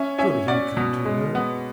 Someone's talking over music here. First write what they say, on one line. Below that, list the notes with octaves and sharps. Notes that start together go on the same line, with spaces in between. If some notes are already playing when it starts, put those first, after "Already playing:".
Surely he would come to her!
Already playing: C#4 E5 G#5
C#4 E5 G#5
C#4 D5 F#5
B2
G#3
B3